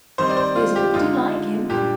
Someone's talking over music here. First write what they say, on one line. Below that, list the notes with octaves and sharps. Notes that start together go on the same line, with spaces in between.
There's nobody like him.
D#3 G3 C4 C5
D5
C5
F4
G4
D3 G#3 D#4 F4
A#2 G3 A#3 D4 G4